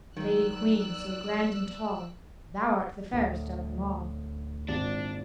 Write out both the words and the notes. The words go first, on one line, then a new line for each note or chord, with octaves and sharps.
"Lady queen, so grand and tall, Thou art the fairest of them all."
D#3 F#3 D5 E6 F#6
D2 A2
G#1 A#2 D4